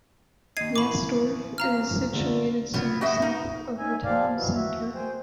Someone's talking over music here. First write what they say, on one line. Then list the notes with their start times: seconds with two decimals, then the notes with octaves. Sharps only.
Jastorf is situated some south of the town center.
0.57 D#2 D#5 G#6 C7 D#7
0.76 A1 B5 C#6 D6 F#7
1.58 F5 A#5 F6
2.13 D3 A3 F4
2.74 F#3 G3 B3 F4
3.01 F#4 G4 A4 B4 D#5 E5
3.22 D#4
3.78 C#4 D#4 E5 G#5
4.04 F3 G4 D5 F5
4.34 B2 E3 F#3
4.55 F#4 E5
4.94 G#4 C5 G5